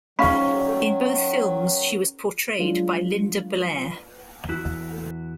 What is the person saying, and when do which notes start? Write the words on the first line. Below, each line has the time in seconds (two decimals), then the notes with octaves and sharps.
In both films, she was portrayed by Linda Blair.
0.19 D#3 F#3 C#4 F5 B5
2.59 F3 F#3 G#3 D4 F4
4.49 E2 E4 F#4